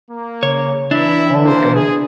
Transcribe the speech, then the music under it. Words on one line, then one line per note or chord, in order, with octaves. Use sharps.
Oh, okay.
A#3
C#3 C#5
E3 D4 E4 E5
A#3 C5
G#4